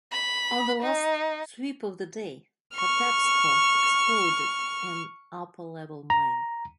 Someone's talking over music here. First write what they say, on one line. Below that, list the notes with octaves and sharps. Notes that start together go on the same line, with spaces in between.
On the last sweep of the day "Patapsco" exploded an upper level mine.
B5
D#4
C#6 F6
A#5